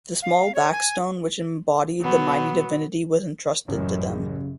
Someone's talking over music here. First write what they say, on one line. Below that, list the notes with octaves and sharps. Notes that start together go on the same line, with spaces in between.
The small black stone which embodied the mighty divinity was entrusted to them.
F5
C#5
G#5
B2 F#3 B3
A1 F#2 C#3 A#4